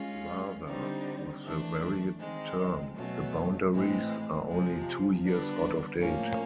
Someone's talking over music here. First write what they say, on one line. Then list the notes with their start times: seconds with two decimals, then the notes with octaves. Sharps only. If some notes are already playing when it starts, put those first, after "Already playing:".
Rather, with the varied term, the boundaries are only two years out of date.
Already playing: G#3 C#4 F4
0.67 D3 G3 C4 D#4
1.44 E3 A3 D4
2.19 D#3 G#3 C4
2.95 B2 F#3 A3 C#4
3.72 A2 E3 G#3 C4
4.47 C3 F3 G#3
5.24 D3 G3 B3 D4
6.00 A2 F3 A#3 C#4